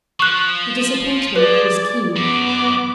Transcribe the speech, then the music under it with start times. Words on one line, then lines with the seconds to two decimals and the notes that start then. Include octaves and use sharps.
The disappointment was keen.
0.20 F3 C#6 F#6
1.36 G#4 B4 D5
2.16 F#2 B3 D6